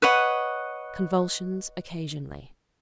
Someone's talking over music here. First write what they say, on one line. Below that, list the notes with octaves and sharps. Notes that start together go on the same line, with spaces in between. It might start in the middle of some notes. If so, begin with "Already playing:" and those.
Convulsions occasionally.
B4 C#5 D#5 F#5